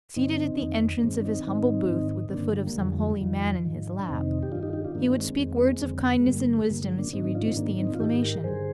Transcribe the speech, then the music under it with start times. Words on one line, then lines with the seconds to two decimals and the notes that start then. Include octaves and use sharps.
Seated at the entrance of his humble booth, with the foot of some holy man in his lap, he would speak words of kindness and wisdom as he reduced the inflammation.
0.16 G2 D3 C4 D#4
0.60 F2 D#3
0.98 D4
1.03 G2 D#3 G#3 C4
1.21 D4
1.25 C4 D#4
1.47 G#2 D#3 C4 D#4
1.91 G#2 D#3
2.30 C4
2.34 G2 D3 A#3 D4
2.49 F3
2.55 G3
2.67 A#3
2.78 F2 D3 F3 G#3
2.89 G3
2.99 F3 G#3
3.10 G3
3.21 F2 D#3 F3
3.65 G#2 D#3
4.00 D4
4.08 F2 C3 D#3 C4 D#4
4.43 G4
4.52 G2 D4 F4
4.55 D#3
4.63 D#4 G4
4.73 D#4 G4
4.84 D4 F4
4.95 G2 D#3 A#3 D4
5.09 D4
5.17 G#3 C4
5.39 F2 D#3
5.83 F2 D3
6.20 G#3
6.26 G2 D3 G3 A#3
6.70 G2 D3 G3 A#3
6.84 F3 G#3
6.99 A#3 D4
7.13 G#2 D#3 C4 D#4
7.24 C4 D#4
7.35 D4 F4
7.46 C4 D#4
7.56 G#2 D#3 A#3 D4
7.79 C4 D#4
7.95 F4
8.00 G#2 D#3 D#4 G4
8.22 G4 A#4
8.44 G2 D3 G#4 C5